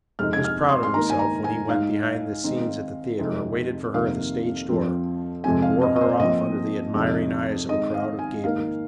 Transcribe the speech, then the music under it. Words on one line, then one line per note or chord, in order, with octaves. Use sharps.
He was proud of himself when he went behind the scenes at the theatre or waited for her at the stage door and bore her off under the admiring eyes of a crowd of gapers.
F2 C3 G#3 D#4 F6
G#6
F6
C6
C6
D#3 A#3 D#4 A#5
G#5
A#5
G#5
G#2 G#3 D#4 F5
D#3 G#3 C4 D#4
F2 C3 G#3 C4 D#4
F2 C3 D#3 A#3 F5
F2 F3 C4
F2 C3 F3 G#3 C4 G#5
F5
D#5
D#5
C5
A#2 F3 C4 D#5
F2 C3 G#3 D#4
D#3 G#3 C4 D#4 D#5
F5
G#5
G#2 D#3 A#3 F5